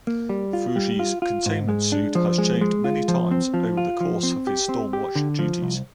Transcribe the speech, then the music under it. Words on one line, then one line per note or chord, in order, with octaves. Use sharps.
Fuji's containment suit has changed many times over the course of his Stormwatch duties.
A#3
G3
F4
G3
F4
F4
G#2
G#3
D4
F3
G#3
G#3
F4
F3
C4
F3
F4
F3
C4
G4
C4
G4
D3
F3
C2